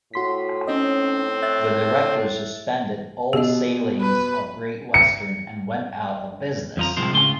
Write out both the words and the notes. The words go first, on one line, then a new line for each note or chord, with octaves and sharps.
The directors suspended all sailings of "Great Western" and went out of business.
A2 F#4 C6 B6
C4 C#4 D#4 D#5
E5 F#6 A6
B2 G4 D#5
B4
C#7
F2 F3 A#5
C2 A2 F3 G#3 C4 C5
C#2 A2 C#3 F4 C6